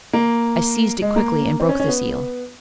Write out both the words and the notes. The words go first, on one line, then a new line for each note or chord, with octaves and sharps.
I seized it quickly, and broke the seal.
A#3
G#3
A#3
C4
C#4
C#4
B3